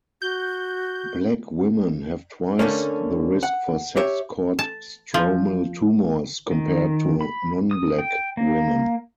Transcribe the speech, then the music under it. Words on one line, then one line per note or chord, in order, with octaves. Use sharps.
Black women have twice the risk for sex cord-stromal tumors compared to non-Black women.
F#4 G6
D3 A3 A#3 C#4
F#5
G4 C#5 E5
A5
F3
D#3
B5
D#6
G5
A#3